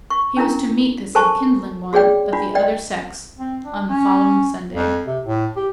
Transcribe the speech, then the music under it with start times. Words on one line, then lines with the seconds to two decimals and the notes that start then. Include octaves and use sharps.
He was to meet this enkindling one of the other sex on the following Sunday.
0.10 C#6
0.37 C#4 D4 E4 A#4 A#5
1.15 A4 A#4 C5 G#5 A5 C#6
1.93 F#4 G#4 C#5 D5 G5
2.33 D4 F4 F#4
2.55 D5 D#5 G5
3.39 C4
3.65 D4
3.89 C#4
4.73 F2
5.07 C3
5.25 A2
5.57 G4